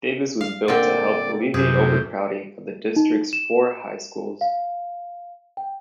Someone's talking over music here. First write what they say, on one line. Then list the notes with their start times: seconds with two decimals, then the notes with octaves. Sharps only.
Davis was built to help alleviate overcrowding at the district's four high schools.
0.41 F5
0.68 A#2 D3 C4 D5
1.54 F#2 C3 G#4
2.96 D#4
3.33 E7
4.41 F5
5.57 G5